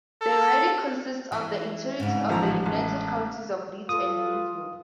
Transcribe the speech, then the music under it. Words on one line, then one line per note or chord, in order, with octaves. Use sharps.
The riding consists of the entirety of the United Counties of Leeds and Grenville.
A4
E3
G#2 C#3
A1 F3 A#5
A1
F4 A4 B4 D#6